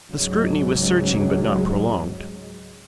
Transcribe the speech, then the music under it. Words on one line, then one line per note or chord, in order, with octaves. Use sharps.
The scrutiny was searching but not prolonged.
C#2 G#2 F#3 G#3